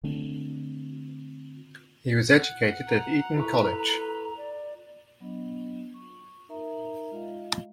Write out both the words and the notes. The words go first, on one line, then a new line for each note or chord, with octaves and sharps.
He was educated at Eton College.
D3 A3 C4 D4
F#5
A#5
E4 A4 B4 C#6
D5
F#3 B3 D4 D#5
C#6
D#4 A#4 E5 A#5
G#3 F4 D#5 F5